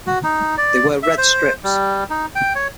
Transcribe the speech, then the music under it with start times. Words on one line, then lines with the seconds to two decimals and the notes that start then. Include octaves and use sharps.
They wear red strips.
0.07 F#4
0.24 D#4
0.57 D5
1.03 E5
1.18 C5
1.64 G3
2.10 D#4
2.35 G5
2.55 C#5